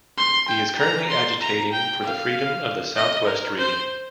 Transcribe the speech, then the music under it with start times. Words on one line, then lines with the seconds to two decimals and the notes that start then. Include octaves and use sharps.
He is currently agitating for the freedom of the south west region.
0.18 C6
0.48 G5
0.79 A#5
1.10 C6
1.41 A#5
1.72 G5
2.03 F5
2.96 D#5
3.27 A#4
3.57 C5